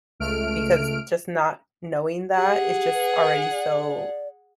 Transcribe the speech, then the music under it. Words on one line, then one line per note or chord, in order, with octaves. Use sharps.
because just not knowing that is just already so,
C#2 A3 F6 D7
G4 G#4 F#5
B4
D5